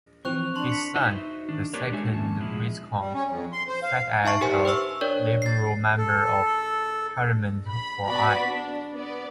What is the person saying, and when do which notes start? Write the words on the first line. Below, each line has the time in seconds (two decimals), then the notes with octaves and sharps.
His son, the second Viscount, sat as a Liberal Member of Parliament for Eye.
0.25 E3 F3 C4 C#6 F#6 F7
0.56 D4 A5 C6 F#7
0.69 B6 C#7
0.95 D#4 F#4 B4 C5 D#5 E5
1.49 D#3 D4
1.73 A#3 D4 G4 A#4 B4 C#5
1.92 G#3 D4 D#4 F#4 E5 G#5
2.13 F2 D#3 A#3 C#4 A5
2.40 B2 F3 G#3 E4
3.00 G3
3.14 C#4
3.29 F2
3.53 C6
3.68 C5
3.83 F5
4.24 D#4 E5 A5 C#6 C7
4.41 G4 A#4 C5 F#5 G#5
4.65 B4 C5 C#6 E6
5.01 D4 A#4 C#5 D5
5.42 A6 C7
5.98 A4
7.68 B5
8.06 B3 F#4 D5 B5 B6
8.46 D4
8.92 B3 D5